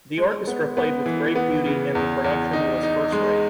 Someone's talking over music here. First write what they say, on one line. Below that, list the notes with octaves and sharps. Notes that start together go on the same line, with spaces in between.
The orchestra played with "great beauty" and the production was first rate.
G#3
B3
B3
E3
B3
C#3
E2
E2
D#4
D#4
G#3